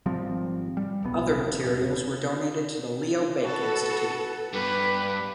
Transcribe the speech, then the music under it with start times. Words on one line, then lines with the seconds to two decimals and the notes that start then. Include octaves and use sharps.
Other materials were donated to the Leo Baeck Institute.
0.06 G#1 F3 G3 C4
0.77 G3
1.03 D1 B1 B3
1.45 F1
1.59 D#1
3.44 F#4 A4 B4
4.53 G2 B3 G4 B4